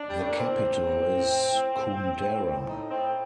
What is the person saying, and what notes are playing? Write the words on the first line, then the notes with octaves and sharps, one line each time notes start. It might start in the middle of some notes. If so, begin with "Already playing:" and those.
The capital is Koundara.
Already playing: D4
G3
A2 A3
A#3
A2 C4
A2
A2
A2
A2
A2
A2
A2
A2
A2
A2 D#4
A2 C4